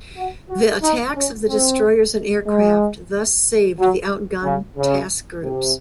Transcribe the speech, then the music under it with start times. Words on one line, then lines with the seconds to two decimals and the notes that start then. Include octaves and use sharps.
The attacks of the destroyers and aircraft thus saved the outgunned task groups.
0.16 F#4
0.49 F#4
0.82 D#4
1.15 C#4
1.49 C4
2.46 G#3
3.78 F#3
4.43 C#3
4.77 C#3
5.43 C3